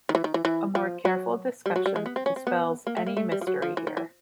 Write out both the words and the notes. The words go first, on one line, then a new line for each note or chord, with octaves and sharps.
A more careful discussion dispels any mystery here.
D#3
E3
D#3
E3
E3
F3
F#3
G3
F#3
G3
G#3
B3
C4
C#4
C4
B3
A#3
A3
A#3
A3
G3
F3
F#3
F3
E3
D#3
E3